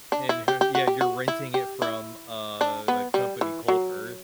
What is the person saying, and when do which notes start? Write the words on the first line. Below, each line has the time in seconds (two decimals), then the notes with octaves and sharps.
And her yeah. You're renting it from, uh, like, company called Earth.
0.12 D4
0.29 E4
0.48 G4
0.61 G4
0.75 F#4
0.87 G4
1.01 F#4
1.28 E4
1.54 G4
1.82 E4
2.61 D4
2.88 B3
3.14 G3
3.41 E3
3.68 F#3